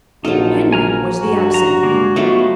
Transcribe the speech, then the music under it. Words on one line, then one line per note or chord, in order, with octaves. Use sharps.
Henry was the absent one.
A#1 F#3 D#4 F4 A4
G#5 A#5 F6
G2 F#4
A#5
G#3 A#3
F#3 G3 A3 B3 D#4 F4